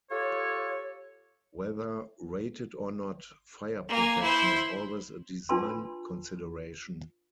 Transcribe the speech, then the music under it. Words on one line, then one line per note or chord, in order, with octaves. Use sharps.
Whether rated or not, fire protection is always a design consideration.
F4 G4 A4 C#5
A#3 G#5
E4 C5
D4 F4 B4 A5 B5 C6